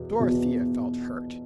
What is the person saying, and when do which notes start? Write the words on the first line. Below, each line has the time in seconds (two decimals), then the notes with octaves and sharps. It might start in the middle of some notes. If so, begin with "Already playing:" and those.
Dorothea felt hurt.
Already playing: E2 B2
0.19 E2 B2